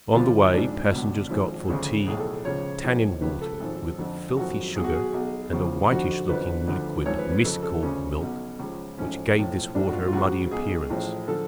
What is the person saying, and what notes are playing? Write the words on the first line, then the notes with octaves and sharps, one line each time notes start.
On the way passengers got for tea tannin water with filthy sugar and a whitish looking liquid mis-called milk which gave this water a muddy appearance.
D2 D3 F3 F4
G#1 G#2 F3 D4
C#2 B2
G#1 G#2 F3
D2 C#3 F3 G#4
B1 A2 F3 G#4
A4
C#2 C#3 F3 C#5
B1 A2 F3
C#2 C#3 F3 B4
A4
G#1 G#2 F3
F2 D3 F3
G#1 F#2 F3 F#4
B1 B2 G#4
F#4
G#4
B1 B2
C#2 C#3 F3
F2 D3 F3 F#4
F2 D3 F3 B4
D2 D3 F3
G#1 G#2 F3 C#5
B4
B4
F2 C#3 F3 A4
A4
D2 C#3 F3 C#4
B1 B2
C#2 C#3 F3
A1 G#2 F3 C#4
B1 A2 F3
A1 G#2 F3 D4
F#4
F4
F4
C#2 C#3 F3 F#4
B1 B2 G#4
A1 A2 F3
D3 F3 A4